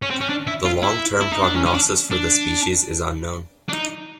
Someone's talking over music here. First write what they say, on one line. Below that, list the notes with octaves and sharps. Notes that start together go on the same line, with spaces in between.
The long-term prognosis for the species is unknown.
C#4
C4
C#4
D4
E4
F4
E4
E4
D#4
D4
C#4
C#4
D4
D4
D4
D#4